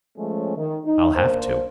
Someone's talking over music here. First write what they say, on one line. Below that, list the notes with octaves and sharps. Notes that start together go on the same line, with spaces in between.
I'll have to.
F3 G#3 A3 C#4
D#3
D#4
A#3 D4 C5